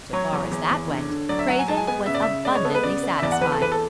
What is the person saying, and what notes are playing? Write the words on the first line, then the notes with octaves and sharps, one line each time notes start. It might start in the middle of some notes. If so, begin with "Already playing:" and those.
So far as that went, Craven was abundantly satisfied.
F#3 C#5
E2
E2
E2
D3
D3
F#3 D5
E5
F#3 F#5
G#5
G#3 A5
G#5
B3 G#5
C#3 E5
D5
C#3 E5
G#3 D5
C#5
B3 A4
B4
C#3 D5
B3
E5
E2 D5
F#5
E2 B4
A4
E2 B4
A4